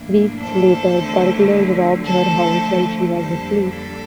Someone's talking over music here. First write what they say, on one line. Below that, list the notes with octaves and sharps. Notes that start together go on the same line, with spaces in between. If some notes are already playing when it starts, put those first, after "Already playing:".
Weeks later, burglars robbed her house while she was asleep.
Already playing: A2 E3 A#3 D4
A4 C5
E2 D3 A3 C4
D3 F3 A3 A4 C5
F2 D3 G3 A#3 D4 A4 C5
A4